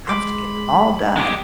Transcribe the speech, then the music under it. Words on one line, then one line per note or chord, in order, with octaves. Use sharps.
I have to get them all done."
G#3 B5 C6 D6
G3 G#3 G4